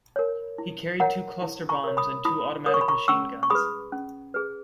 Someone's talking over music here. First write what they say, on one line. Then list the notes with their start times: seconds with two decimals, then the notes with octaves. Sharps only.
He carried two cluster bombs and two automatic machine guns.
0.16 A#4 C#5
0.58 E4
1.00 A#4 C#5 F#5 A#5
1.42 E4
1.69 A#5 C#6
1.84 A#4 C#5
1.97 B5 D#6
2.25 E4 B5 D#6
2.66 A#4 C#5 D#6
2.74 C#6
2.81 B5
2.88 A#5 C#6
3.08 C#4 C#6 E6
3.43 C#6
3.50 G#4 B4 B5 D#6
3.92 C#4
4.34 G#4 B4